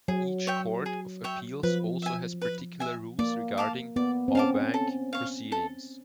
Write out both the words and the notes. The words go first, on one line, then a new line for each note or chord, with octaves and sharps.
Each court of appeals also has particular rules regarding "en banc" proceedings.
F#3 G#4
C#5 E5 G5
G#4
C#5 E5 G5
F3 B4
E5 G#5
B4
E5 G#5
A#3 D5
F5 A5 D6
B3 D5
C4
C#4 F5 A5 D6
A4
C#5 F5
A4